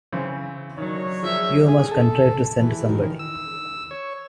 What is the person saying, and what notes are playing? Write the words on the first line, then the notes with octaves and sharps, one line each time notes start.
You must contrive to send somebody.
C#3 E3 C4
D#3 F#3 D4 D#4 C#5
F3 G#4 E5
G#4
A4
E3
D#3
E6
C#5